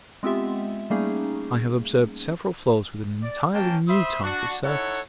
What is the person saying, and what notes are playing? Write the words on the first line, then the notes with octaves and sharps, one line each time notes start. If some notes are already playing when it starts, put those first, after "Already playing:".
I have observed several floes with an entirely new type of surface.
G#3 B3 C4 F4 G4 E5
G3 A3 A#3 C#4 D#4 G#4
D5
A#3 C#4 G5 A5
C5 E5 B5 C6 D#6
D4 F#4
D#4 E4 A4 C#5 F#5